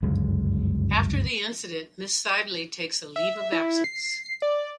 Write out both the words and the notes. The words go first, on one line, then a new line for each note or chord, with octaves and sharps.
After the incident, Miss Sidley takes a leave of absence.
G1 C#2 F#2 G#3
E5
E4
C7
D5